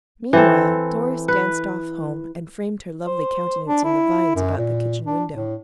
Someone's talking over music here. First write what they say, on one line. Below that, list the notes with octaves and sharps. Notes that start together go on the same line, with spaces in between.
Meanwhile Doris danced off home, and framed her lovely countenance in the vines about the kitchen window.
E3 C4 A4
B4
C5
D4
E4
F#2
A#2
D4
A2